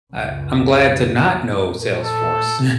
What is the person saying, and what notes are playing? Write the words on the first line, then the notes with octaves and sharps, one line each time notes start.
I I'm glad to not know Salesforce
C#2 F#2
A#2 A3
A4